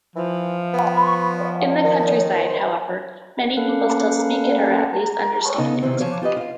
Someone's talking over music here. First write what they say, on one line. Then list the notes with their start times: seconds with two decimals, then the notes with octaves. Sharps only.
In the countryside, however, many people still speak it or at least understand it.
0.16 E3 F3
0.74 B3
1.84 D#3
3.57 A#3 C#4 A4 B4 F5 F#5
5.57 C#3 B3 D#4 A4
5.82 C3 D#3 E3 C4
6.00 F3 C#5 F5 G#5 A5
6.22 F4 G4 B4 D#5
6.36 F4 F5